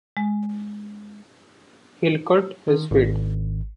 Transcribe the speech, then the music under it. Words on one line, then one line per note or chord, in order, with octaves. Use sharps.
He'll cut his feet.
G#3
D#3
G#1